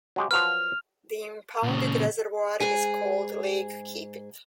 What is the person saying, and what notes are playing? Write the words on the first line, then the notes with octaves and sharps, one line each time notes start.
The impounded reservoir is called Lake Keepit.
F#3 G#3 G4
F3 F#3 B4 F6 F7
A#2 C#3
G#2 G#4 G#5